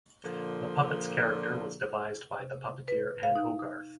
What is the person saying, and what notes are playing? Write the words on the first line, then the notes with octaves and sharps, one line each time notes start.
The puppet's character was devised by the puppeteer Ann Hogarth.
A#2 D3 F3
C3
B4
F5
D#4